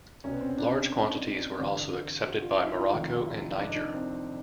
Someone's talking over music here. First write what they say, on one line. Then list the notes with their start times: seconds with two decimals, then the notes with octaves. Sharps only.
Large quantities were also accepted by Morocco and Niger.
0.24 C2 B2 C#4
0.33 B3
0.41 C4
0.49 C#4
0.57 D4
0.92 D#4
1.58 G1 G2 E3
2.26 F#4
2.42 F4
2.58 D#4
2.67 E4
2.76 F4
2.93 F1 D#2 D#3 F4
3.26 E4
3.61 D4
3.68 D#4
3.76 D4
3.94 C4